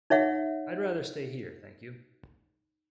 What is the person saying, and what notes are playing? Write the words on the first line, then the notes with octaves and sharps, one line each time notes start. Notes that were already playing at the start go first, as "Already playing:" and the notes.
I'd rather stay here, thank you.
D#4 C#5 E5 F#5